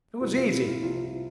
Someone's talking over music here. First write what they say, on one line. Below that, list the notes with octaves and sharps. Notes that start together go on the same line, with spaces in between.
It was easy.
C2 C3 F3 F#4
F4
E4
F4
C2 C3 F3 F4